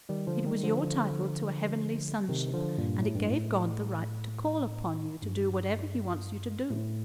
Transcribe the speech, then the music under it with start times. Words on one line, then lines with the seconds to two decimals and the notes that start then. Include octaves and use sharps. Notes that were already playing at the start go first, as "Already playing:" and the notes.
It was your title to a heavenly sonship, and it gave God the right to call upon you to do whatever He wants you to do.
0.09 D#3 G3
0.27 D3 F3
0.46 D#3 G3
0.64 D3 F3
2.29 C3 D#3
2.53 D3 F3
2.78 G2 A#2
3.02 A2
3.15 G2
3.27 A2
5.23 G2
6.70 A2